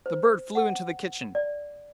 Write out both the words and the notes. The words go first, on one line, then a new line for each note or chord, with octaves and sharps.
The bird flew into the kitchen.
C5
F#5
D5